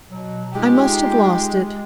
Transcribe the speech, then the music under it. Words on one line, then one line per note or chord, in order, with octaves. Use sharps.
"I must have lost it."
B2 F#3
G#3 D#4 F4 G4